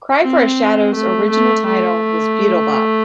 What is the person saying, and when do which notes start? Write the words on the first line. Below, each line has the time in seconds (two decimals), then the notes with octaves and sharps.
"Cry for a Shadow"'s original title was "Beatle Bop".
0.23 C4
0.94 A3
1.29 A3
1.65 A3